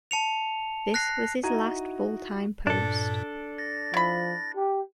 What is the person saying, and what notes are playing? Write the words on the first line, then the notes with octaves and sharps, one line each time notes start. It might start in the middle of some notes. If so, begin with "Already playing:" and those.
This was his last full-time post.
A5 C#7 F7
F#6 A#6 C7
D#4 E4 F#4 A#5 G#6 D#7
G2 A#2 D4 A4
A6 A#6
F3 E4 B5
G4